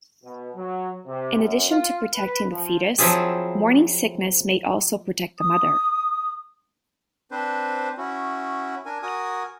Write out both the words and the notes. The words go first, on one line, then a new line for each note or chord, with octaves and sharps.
In addition to protecting the fetus, morning sickness may also protect the mother.
B2
F#3
C3
F#2
F4
B4
F3
F3 F#3 C4 E4 F4 G#4
D#6
C4 D4 B4 C5
C#4 E4 F#4
D4 A#4 G#5
F#4 A#4 G#5 D#6